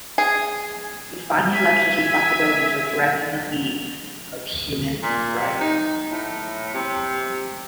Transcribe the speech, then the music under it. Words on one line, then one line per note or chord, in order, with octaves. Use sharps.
He finally left his responsibilities of directing the League of Human Rights.
G#4
E5 G#5
A#2
C3
D#4
A2
C3